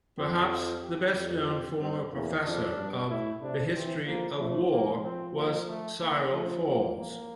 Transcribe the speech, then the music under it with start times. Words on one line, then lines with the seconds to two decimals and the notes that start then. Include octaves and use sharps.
Perhaps the best known former Professor of the History of War was Cyril Falls.
0.18 F2 C4
0.50 F4
0.83 G4
1.15 F2
1.48 G4
1.80 G2 C4
2.12 E2 A#3
2.44 F2 D4
2.77 G2
3.09 A2 E4
3.42 C3 D4
3.74 E3 C4
4.06 F3 A#3
4.38 F3 A3
4.71 A#3
5.03 F3 C4
5.35 A#3
5.68 A3
6.01 A#3
6.32 F3 A3
6.65 A#3
6.97 A#3